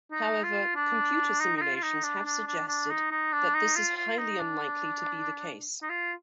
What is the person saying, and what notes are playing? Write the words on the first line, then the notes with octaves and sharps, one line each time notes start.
However, computer simulations have suggested that this is highly unlikely to be the case.
D#4
F4
D4
D#4
D#4
F4
F4
D#4
D4
D4
D4
D4
D#4
D#4
D4
D#4
F4
F4
D#4
D4
D#4
F4